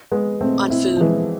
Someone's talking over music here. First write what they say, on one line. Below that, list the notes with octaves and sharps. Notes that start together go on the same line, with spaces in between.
On food.
G#3 B3
A3 C4
C4 E4
F3
E3 G#3